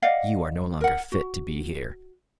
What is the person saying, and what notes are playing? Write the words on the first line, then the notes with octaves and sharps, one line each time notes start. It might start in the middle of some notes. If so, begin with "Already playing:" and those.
You are no longer fit to be here.
D5 D#5 F5 F#5
A#4 F#5
F#4